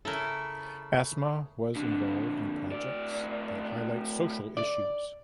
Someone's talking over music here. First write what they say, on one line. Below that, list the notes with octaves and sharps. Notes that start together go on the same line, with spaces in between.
Asma was involved in projects that highlight social issues.
C#3 E4 A4 A#4
F2 D3
A2 D5
D5